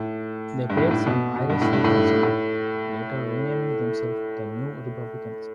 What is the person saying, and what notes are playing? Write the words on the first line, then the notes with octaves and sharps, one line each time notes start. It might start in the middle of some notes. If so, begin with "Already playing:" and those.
They played some Irish rebel songs, later renaming themselves the New Republicans.
Already playing: A2
G2
A2
A2
B2
B2
G2
A2
G2
A2
G2
A2